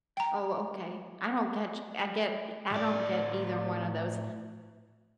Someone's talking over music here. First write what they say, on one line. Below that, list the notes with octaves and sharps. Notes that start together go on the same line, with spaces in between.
Oh, okay. I don't get ch I get i I don't get either one of those.
G5 A#5
A2 D5